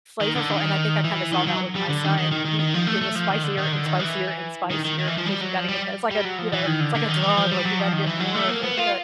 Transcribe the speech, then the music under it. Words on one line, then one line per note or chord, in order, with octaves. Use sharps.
flavorful and I think I kinda saw that with my son, he he it was spicier and spicier and spicier because you gotta get that it's like a, you know, it's like a drug, like you gotta get more of a hit,
D#3
D3
D#3
E3
D#3
F#3
G3
D3
D#3
D#3
D#3
D#3
D#3
F3
A3
A3
F3
D#3
D3
D#3
D3
D#3
E3
D#3
D#3
D#3
E3
F3
G3
F#3
F3
G3
G3
F#3
F3
E3
D#3
D3
D3
D#3
E3
F3
G3
F#3
F3
D#3
E3
F#3
A3
A#3
B3
F4